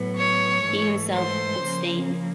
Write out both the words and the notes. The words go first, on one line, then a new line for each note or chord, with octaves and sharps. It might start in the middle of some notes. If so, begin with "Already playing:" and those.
He himself abstained.
Already playing: A2 F#3 B3
C#5 C#6
G#2 E3 A3
C5 C6
C#3 F3 A#3